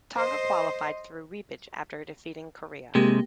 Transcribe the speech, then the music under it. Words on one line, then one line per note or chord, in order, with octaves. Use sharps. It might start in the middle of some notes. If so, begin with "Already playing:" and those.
Tonga qualified through repechage after defeating Korea.
C5 D#5
C3 G#3 A#3 G4